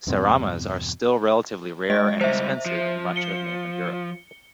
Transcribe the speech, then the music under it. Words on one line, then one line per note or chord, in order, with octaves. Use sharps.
Seramas are still relatively rare and expensive in much of mainland Europe.
E2 G2 B2 C4
G#3 D#5
C#2 G3 C5 E5
F3
C#7 G7